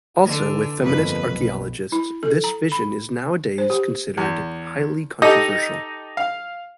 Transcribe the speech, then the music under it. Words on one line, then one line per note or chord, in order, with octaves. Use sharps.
Also with feminist archaeologists this vision is nowadays considered highly controversial.
D3 E3
G1 F2 A3 A#3 B4
B1 B2
E4
A4
A#5
B5
C5
G4
E2
D#4 G4 A4 D#5
F5